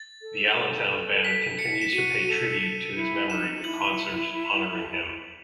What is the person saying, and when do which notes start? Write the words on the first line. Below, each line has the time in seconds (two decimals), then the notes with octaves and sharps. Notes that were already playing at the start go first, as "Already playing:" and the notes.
The Allentown Band continues to pay tribute to his memory with concerts honoring him.
Already playing: A6
0.22 A4
1.25 B6
1.59 C#7
1.81 E7
1.93 F#4 D#7
2.28 A4
2.61 A4
2.95 E4
3.30 D#4 E7
3.64 E4 F#7